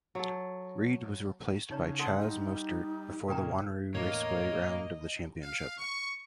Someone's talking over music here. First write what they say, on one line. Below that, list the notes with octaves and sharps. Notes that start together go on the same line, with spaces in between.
Reid was replaced by Chaz Mostert before the Wanneroo Raceway round of the championship.
F#3 A4
C#3 D#4 C#5 A#5
A4 F#5 A5 C6
G3 D#4
A#2 C#3 A4 G5 A#5
E2 A2 D3 A#3 C#5 D#5
F5
C#6